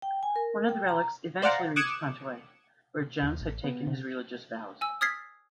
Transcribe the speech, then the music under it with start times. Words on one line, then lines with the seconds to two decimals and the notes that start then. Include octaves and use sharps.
One of the relics eventually reached Pontoise, where Jones had taken his religious vows.
0.02 G5
0.23 G#5
0.36 A#4
0.69 G5
0.89 A#5
1.42 C5 D5 F5 F#5 A#5
1.76 D6 D#6 F#6 G#6 C#7 E7
3.23 D#2
3.41 A1
3.64 B3
3.87 C3
4.81 G#5 E6
5.01 D#6 F6 G#6 A6 B6 C7